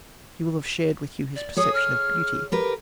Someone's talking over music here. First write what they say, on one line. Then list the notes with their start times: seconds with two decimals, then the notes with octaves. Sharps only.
He will have shared with you his perception of beauty.
1.36 D5
1.56 G#4 C#5 D#6
1.74 F6
2.52 G4 A#4 B4